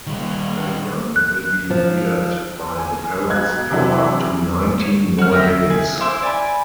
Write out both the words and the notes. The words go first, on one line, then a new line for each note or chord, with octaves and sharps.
The young will be reared by the parents for up to nineteen more days.
D#3 G3
F#6
F3
G#5
B1 D#5 F#6 G#6
C3 E3 F#3 D4 E4
G#4
C#5
F#4 F6
A#4 D#5 E5 G5
G#4
E4 C5 E5 D6
D5 G#5 B5